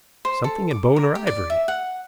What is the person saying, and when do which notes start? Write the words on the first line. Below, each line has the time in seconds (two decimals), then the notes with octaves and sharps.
"Something in bone or ivory."
0.25 C5
0.44 A4
0.71 D6
0.96 A#4
1.15 G4
1.27 D5
1.50 E5
1.68 F#5